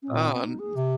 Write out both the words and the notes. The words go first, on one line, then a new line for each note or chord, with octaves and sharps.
Oh n
C#4
A#2 C4
D#4
G#4
C3 G4